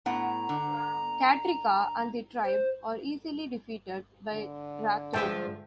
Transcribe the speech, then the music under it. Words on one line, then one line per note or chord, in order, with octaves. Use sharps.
Katryca and the tribe are easily defeated by Drathro.
A2 B3 F#5 A#5
D3
C5
D3
G2 F3 G#3 E5 G5 A5